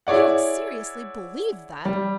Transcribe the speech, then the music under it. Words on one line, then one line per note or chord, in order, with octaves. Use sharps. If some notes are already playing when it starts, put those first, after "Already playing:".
"You don't seriously believe that?"
E4 G#4 C#5 D5 F#5
G3